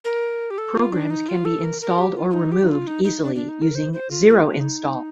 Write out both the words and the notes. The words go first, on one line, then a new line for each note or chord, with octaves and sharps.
Programs can be installed or removed easily using Zero Install.
A#4
G4
A4
F4
D4
D#4
F4
A4
A#4
A#4
G4
F4
F4
D#4
G4
D#4
F4
D#4
D#4
D4
D4
D#4
A#4
C5
C5
F4
F4
D#4
D4
D#4